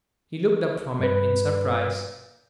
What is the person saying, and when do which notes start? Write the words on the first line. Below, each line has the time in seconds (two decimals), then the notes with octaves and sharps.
He looked up from it in surprise.
0.99 G2 B4